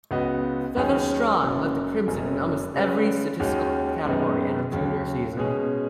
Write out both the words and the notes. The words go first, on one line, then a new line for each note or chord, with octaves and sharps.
Feaster-Strong led the Crimson in almost every statistical category in her junior season.
C#2 C#3 B3 F#4 D#5
D#2 D#3 F#3 C#4 G#4
F#1 F#2 F#3
F#1 F#2 F#3 C#4
C#3 G#3 C#4 B4
D#2 D#3 G#3 C#4 F#4
F#2 D#3 G#3 B3
D#2 C#3 F#3
B2 G#3 C#4 G#4